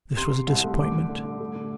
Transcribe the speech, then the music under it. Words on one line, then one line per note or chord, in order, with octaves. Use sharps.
This was a disappointment.
C3 C6
C3
C2
A3
D3 D6
G3
D3
D3
A3
D3